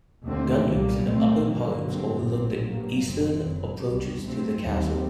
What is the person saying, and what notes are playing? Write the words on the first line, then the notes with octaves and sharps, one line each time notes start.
Gunloops in the upper parts overlook the eastern approaches to the castle.
D#2 D3 A3 C4
C2 A#2 G3 A#3
A#1 A#2 A3 C4
G2 D3 F#3 A#3
G2 F#3 C4
A#1 A2 F#3 C4
G2 F#3 A#3
F#1 F#2 F#3 C4
F#1 F#2 F#3
C2 C3 G3
G2 F#3 A3 C4
D#2 D#3 G3 C4